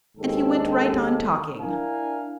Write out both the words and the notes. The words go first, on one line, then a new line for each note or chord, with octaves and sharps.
And he went right on talking.
D#2 G#2 G4 A4
D4 E4 A#4 F5 G#5